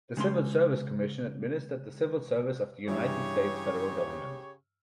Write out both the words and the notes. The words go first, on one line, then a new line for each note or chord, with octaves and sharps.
The Civil Service Commission administered the civil service of the United States federal government.
C#3 G#3 C#4 C6
G2 C#3 E3 G4 C#5 E5